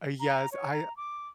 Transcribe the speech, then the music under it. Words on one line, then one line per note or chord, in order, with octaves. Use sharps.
Uh, yes, I
A#5
C#5
A#5
D6